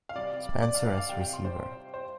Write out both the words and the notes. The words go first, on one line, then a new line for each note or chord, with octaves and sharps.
Spencer as receiver.
F5
C3 G3 D5
D5
F5
F5
F5
C3 G3 G5
G5
C6
C5
C5